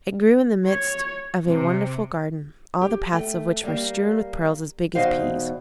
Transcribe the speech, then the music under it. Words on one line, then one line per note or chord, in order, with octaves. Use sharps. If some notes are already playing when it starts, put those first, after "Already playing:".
It grew in the midst of a wonderful garden, all the paths of which were strewn with pearls as big as peas.
C#5
C3
G4
A3 G5
G3 A#3 G4
E2 B2 D#4 C5 F5